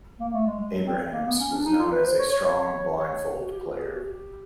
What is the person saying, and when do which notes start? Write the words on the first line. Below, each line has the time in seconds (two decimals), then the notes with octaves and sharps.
Abrahams was known as a strong blindfold player.
0.20 A#3
0.33 A3
0.46 G#3
0.60 G#3
0.73 F#3
0.86 C4
1.12 A#3
1.26 B3
1.39 C#4
1.53 D4
1.65 D#4
1.79 F4
1.92 B4
2.06 C5
2.19 C#5
2.32 C#5
2.45 C#5
2.97 C#5
3.40 F#4
3.51 G4
3.64 F4
3.78 G#4
3.86 G4
3.95 F#4
4.05 G4